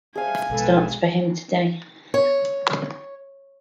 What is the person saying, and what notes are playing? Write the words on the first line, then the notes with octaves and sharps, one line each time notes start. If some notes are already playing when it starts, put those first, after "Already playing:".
Death starts for him today.
G#4 C5 E5 F5 G#5 A5
A#1 B2 G#3 A4 B4
C#5